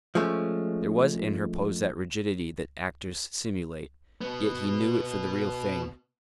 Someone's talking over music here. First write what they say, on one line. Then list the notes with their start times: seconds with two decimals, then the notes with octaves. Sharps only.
There was in her pose that rigidity that actors simulate; yet he knew it for the real thing.
0.15 F3 G#3 A3 C#4
4.21 B2 B3